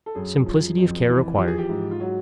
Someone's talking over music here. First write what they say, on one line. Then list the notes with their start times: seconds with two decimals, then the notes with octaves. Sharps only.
Simplicity of care required.
0.06 A4
0.15 F#2 G#4
0.46 F3
0.77 F2
1.08 E3
1.38 F3 G4
1.48 G#4
1.58 G4
1.69 G#2
1.91 F4
2.00 F#3 F#4